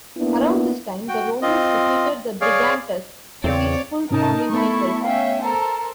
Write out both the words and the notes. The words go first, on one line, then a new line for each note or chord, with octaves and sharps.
Around this time, the Romans defeated the Brigantes, a peaceful, farming people.
A#3 B3 D4 E4
F#4 G5
C4 F4 D#5
G#4 C#5 D5 F5
E2 C#3 C4 C#5 D5
G#2 C3 C#4 D#4 A#4 D#5 A5
A3 B3 E4 A4 C#6
C#4 E5 F5 G5
A4 A#4 C5 A#5